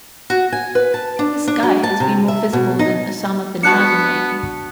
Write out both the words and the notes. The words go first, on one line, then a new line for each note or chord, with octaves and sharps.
This guy has been more visible than Osama bin Laden lately.
F#4
G#5
B4
A5
D4
D4
F#3
A5
C3
E5
B2
D#4
B3 D4 F#4 A5 F#6 C#7